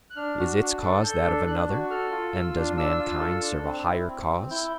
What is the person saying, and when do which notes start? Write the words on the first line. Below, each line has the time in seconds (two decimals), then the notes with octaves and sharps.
Is its cause that of another, and does mankind serve a higher cause?
0.10 F#6
0.16 D4 F6
0.39 F#4
0.60 D4
0.82 A4
1.04 A4 G6
1.25 D4
1.47 D4 F#6
1.69 F#4
1.91 A4 F6
2.11 F4
2.33 F4 E6
2.55 D4
2.76 D4 E6
2.98 F4
3.20 A4
3.42 D4
3.64 C4
3.85 E4
4.08 C4
4.28 C4
4.51 E4 G6